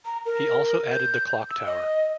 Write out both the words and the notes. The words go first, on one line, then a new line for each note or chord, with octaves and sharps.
He also added the clock tower.
A#5
A#4
G6
E6
D#5